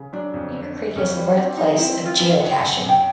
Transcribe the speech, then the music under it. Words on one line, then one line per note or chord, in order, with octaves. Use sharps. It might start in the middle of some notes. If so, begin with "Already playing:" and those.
Beavercreek is the birthplace of geocaching.
Already playing: C#3
F#3 D4
F2
D3
D3
F2 C#4
G3
C4 D4
G3 D#4
C4 E4
E4
C4
F4
F#2 B4
F5
C#3 F#5
G5
F#2 F#5
F#2
G5